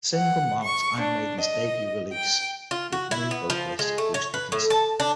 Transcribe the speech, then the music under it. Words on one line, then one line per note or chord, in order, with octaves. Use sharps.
The single marked Iron Maiden's debut release with new vocalist Bruce Dickinson.
F#5
C#6
D4
D#5
G5
F4
F#4
E4
B3
F3
G#3
A3
C#5
B4
A2
A5
D4